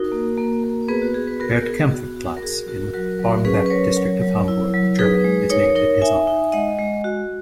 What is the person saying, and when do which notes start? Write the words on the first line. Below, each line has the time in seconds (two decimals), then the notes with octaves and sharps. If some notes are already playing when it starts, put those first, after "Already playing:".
Bert-Kaempfert-Platz, in the Barmbek district of Hamburg, Germany, is named in his honour.
Already playing: D#4 F#4 A#4
0.12 A#3
0.37 A#3
0.64 A#3
0.88 B3 G#4 B4
1.02 F#4
1.14 F#4 G#4
1.27 G#4 B4
1.40 B3 F#4 A#4
1.66 B3 G#4
1.92 F#4
2.16 F#4
2.37 A#4
2.42 F#4 G#4
2.68 F#4 A#4
2.94 F#3 F#4 A#4
3.19 F#3
3.45 C#4 G#4 B4
3.66 B4
3.70 F#3 A#4 C#5
3.97 F#3
4.22 F#3
4.48 E4
4.73 F#3
4.99 D#4 G#4 B4
5.24 G#3
5.50 D#4 A#4 C#5
5.75 D#4 A#4 C#5
6.01 D#4 E5 G#5
6.27 D#4
6.52 G#3 D#5 F#5
6.78 G#3
7.04 F#4